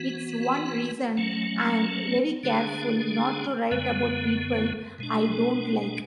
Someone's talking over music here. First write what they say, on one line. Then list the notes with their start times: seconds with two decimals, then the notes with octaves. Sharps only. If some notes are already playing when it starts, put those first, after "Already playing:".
It's one reason I'm very careful not to write about people I don't like.
Already playing: E3 B3 F#4
1.17 F#3 A3 C#4
2.43 D3 G#3 D4 G#4
3.71 F#2 D3 G#3 B3
4.98 B2 G#3 D4